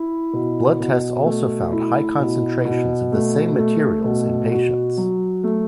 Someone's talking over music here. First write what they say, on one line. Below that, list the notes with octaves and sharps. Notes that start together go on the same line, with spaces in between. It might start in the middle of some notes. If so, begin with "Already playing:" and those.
Blood tests also found high concentrations of the same materials in patients.
Already playing: E4
B2
B2
A3
E4
B2
B2
A3
A3
B2
F#4
F#3
A3